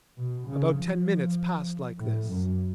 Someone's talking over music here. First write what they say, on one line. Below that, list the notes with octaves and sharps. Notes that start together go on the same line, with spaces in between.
About ten minutes passed like this.
B2
C#3
F3
A2
F#2